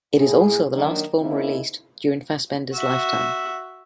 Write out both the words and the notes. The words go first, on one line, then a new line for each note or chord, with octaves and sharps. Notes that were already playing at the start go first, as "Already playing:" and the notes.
It is also the last film released during Fassbinder's lifetime.
A2 G#4
D#3 F#3 A#3 D4
C#3 A#3 C4 D#4 E4
F#4 E5